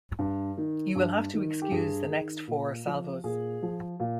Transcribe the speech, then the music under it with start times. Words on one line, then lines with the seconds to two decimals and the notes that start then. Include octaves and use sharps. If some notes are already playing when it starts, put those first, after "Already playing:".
You will have to excuse the next four salvos.
0.19 G2
0.57 D#3
0.95 G2
1.34 D#3
1.62 G4
1.71 G2 G#4
2.10 D#3
2.48 A#2
2.86 F3
3.24 A#2 G#4
3.62 F3
4.00 A#2